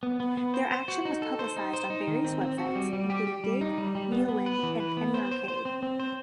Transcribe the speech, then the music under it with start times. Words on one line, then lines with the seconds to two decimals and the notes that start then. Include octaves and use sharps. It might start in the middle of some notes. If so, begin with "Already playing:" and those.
Their action was publicized on various websites, including Digg, Neowin, and Penny Arcade.
0.03 B3
0.20 B3
0.37 B3
0.54 C5
0.71 C5
0.88 F#4
1.05 D#4
1.22 A4
1.39 C5
1.57 D#4
1.73 C5
1.90 D#4
2.07 D#3
2.25 C4
2.41 C4
2.58 F#4
2.75 G3
2.93 G3
3.10 G4
3.27 G4
3.44 G3
3.61 D#4
3.78 G3
3.95 G3
4.12 B3
4.29 B3
4.46 B4
4.63 E3
4.80 B4
4.97 B3
5.14 C5
5.31 C5
5.48 C5
5.65 C4
5.83 C4
6.00 C5